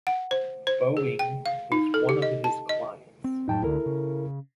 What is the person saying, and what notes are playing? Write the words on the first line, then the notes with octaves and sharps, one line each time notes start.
Boeing is one of his clients.
F#5
C5
C5
G#4
G5
F5
D#4
A4
G4
D#5
A5
D#5
C4
F2 A2 F#3 D#4 G5 A5
C#2 D3 E4 A4 A#4
C#3